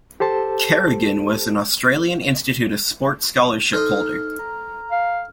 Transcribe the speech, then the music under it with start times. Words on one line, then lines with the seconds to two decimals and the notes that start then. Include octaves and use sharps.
Carrigan was an Australian Institute of Sport scholarship holder.
0.20 G4 A4 C5 A5
3.73 D#4 A4 C5 D#5 F6
4.39 A#5
4.92 F5